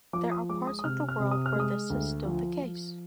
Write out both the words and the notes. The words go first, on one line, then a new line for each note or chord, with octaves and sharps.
There are parts of the world where this is still the case.
F3 D6
D#6
G#3 D6
D#6
D#6
C3 F6
F6
C3
D#6
F6
G#3 D#6
D2
F3
F3